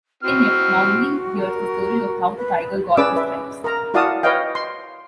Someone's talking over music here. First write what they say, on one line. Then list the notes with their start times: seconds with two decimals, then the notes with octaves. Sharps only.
In it, Mowgli hears the story of how the tiger got his stripes.
0.23 C4 E4 F#4 F6
1.37 A#4
2.36 B4
2.97 C#4 G#4 B4 D5 D6 E6
3.16 B4 E5
3.64 A#4 A#5
3.94 E4 F#4 D5 F5 A5 D#6
4.23 B4 C#5 D#5 F5 G5
4.55 C6